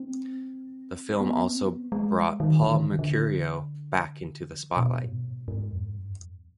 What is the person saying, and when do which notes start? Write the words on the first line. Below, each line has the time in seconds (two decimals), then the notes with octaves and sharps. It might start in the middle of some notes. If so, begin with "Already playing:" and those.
The film also brought Paul Mercurio back into the spotlight.
Already playing: C4
1.20 B3
1.47 C4
1.56 B3
1.92 G#3
2.16 G3
2.40 D#3
2.63 D#3
2.75 D3
2.86 D#3
2.99 D3
4.77 B2
5.06 G#2
5.12 B2
5.48 G#2
5.72 F2
5.95 G2
6.19 F2